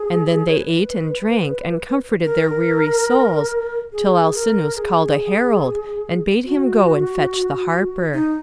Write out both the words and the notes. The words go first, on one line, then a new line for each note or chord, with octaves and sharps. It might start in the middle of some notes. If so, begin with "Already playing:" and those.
And then they ate and drank, and comforted their weary souls, till Alcinous called a herald, and bade him go and fetch the harper.
Already playing: G#4
C#5
B4
A#4
G#4
A#4
G#4
F#4
D#4